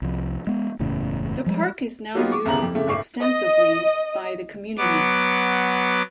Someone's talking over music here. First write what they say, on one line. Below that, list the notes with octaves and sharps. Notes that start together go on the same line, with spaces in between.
The park is now used extensively by the community.
C2 F3
G#3 B3
F#1 E2 A2 C#3
F3 G3 G#3
F#3 A#3 B3 D#4 F4 G4
C#6 D6
D#1 C2 C#3 B3 A#5 F#7
F2
F2 C#3 A3
F#1 B1 A2 C#6 D6 C7
D#5
F#3 B3 D6